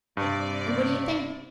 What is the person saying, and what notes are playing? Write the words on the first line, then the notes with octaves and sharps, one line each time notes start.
And what do you think?
G2 C3 D5